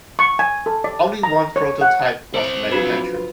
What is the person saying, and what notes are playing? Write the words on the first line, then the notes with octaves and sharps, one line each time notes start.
Only one prototype was manufactured.
C#6
G#5
A4
D5
A#5
C#5
F#5
C4 C5 D5
F3 F#3 D4 F4 F#4 B4